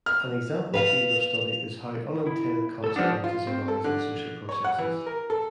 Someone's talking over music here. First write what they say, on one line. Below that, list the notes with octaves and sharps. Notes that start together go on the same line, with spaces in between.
An example field of study is how unintended consequences arise in social processes.
F6
B4 F5 F7
E4
A4 E6
F3 D4 F#5 D#6
F4
C4
A4
D3
C#5
F#5
E3
A#4
A4